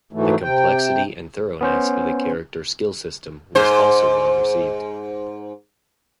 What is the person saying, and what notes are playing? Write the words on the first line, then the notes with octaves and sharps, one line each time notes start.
The complexity and thoroughness of the character skill system was also well received.
G#2 E3 F#3 A3
C3 G5
B3 C#4 C5
G#2 C5